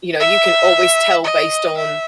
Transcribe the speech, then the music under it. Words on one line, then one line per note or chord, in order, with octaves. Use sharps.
you know, you can always tell based on,
E5
D#5
E5